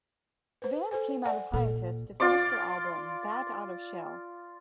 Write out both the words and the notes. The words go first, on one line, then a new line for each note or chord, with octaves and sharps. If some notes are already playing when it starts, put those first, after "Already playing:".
The band came out of hiatus to finish their album "Bat Out of Shell".
B4 C5
A4 C5 G#5
D5 F#5 G#5
A#2 A4
F4 D5 C6 D6